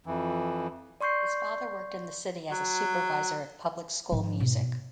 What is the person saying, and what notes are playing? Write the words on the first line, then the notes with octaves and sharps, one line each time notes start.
His father worked in the city as a supervisor of public school music.
F2 E3
D5 C6 C#6 G6 C7
F#3
G#2 F3 C4
B2